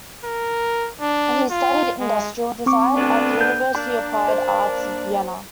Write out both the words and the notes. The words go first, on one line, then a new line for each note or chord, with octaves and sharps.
He studied industrial design at the University of Applied Arts Vienna.
A#4
D4
F4
G#3
C4 C#6 D6
D2 B3 D4
G6
A#3 D4
C5